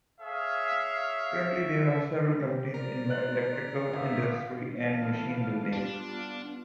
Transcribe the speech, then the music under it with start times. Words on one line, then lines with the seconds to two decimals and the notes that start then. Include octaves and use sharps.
Currently, there are several companies in the electrical industry and machine building.
0.21 G#4 C#5 E5 F5
2.41 G4
2.74 A#4 C5 D5
3.10 F#6
3.93 G1 E5 D#6
4.79 E3 B3 F5 A5
5.73 G3 D4 F4
6.11 B3 F4